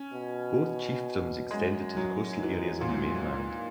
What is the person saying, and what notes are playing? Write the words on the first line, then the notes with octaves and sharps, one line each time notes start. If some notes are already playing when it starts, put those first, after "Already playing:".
Both chiefdoms extended to the coastal areas on the mainland.
Already playing: C#4
B2
F#2 G#3
F#3
E3
A#2
G#2
A#2